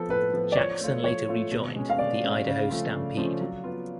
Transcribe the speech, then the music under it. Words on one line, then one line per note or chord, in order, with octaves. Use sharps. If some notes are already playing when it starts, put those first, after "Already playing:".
Jackson later rejoined the Idaho Stampede.
Already playing: F3 B3 A4
A2 B4
F3 B3
D5
F3 C#5
A3 F4
F3 C#5
A3 F4
B2
G#3 C#4
F5
B2 D5
G#3 C#4
C#3
F3 A3 C#4 F4
C#3
F3 A3 C#4 F4
F#3
B3 F4